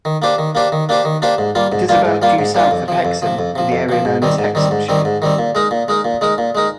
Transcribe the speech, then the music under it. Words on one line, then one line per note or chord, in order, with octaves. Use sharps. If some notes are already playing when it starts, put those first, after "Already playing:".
It is about due south of Hexham in the area known as Hexhamshire.
D#3
A#3 D4 G4 C5
D#3
A#3 D4 G4 C5
D#3
A#3 D4 G4 C5
D#3
A#3 D4 G4 C5
G#2
G3 A#3 F4
G#2
G3 A#3 F4
G#2
G3 A#3 F4
G#2
G3 A#3 F4
F2
C3 F3
F2
C3 F3
F2
C3 F3
F2
C3 F3
G#2
D#3 G3 C4
G#2
D#3 G3 C4
G#2
D#3 G3 C4
G#2
D#3 G3 C4
A#2
G#3 D#4 A#4
A#2
G#3 D#4 A#4
A#2
G#3 D#4 A#4
A#2
G#3 D#4 A#4